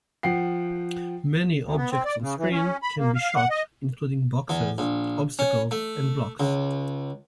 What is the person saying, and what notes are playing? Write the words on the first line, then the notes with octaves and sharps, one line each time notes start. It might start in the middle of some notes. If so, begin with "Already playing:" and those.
Many objects onscreen can be shot including boxes, obstacles and blocks.
F3 F#5 G5 C7
D2
B3
C4
D5
C#3
E3
C#4
B5
A#3
F5
F#5
D#5
E2
A#1
C#4
A3
C#2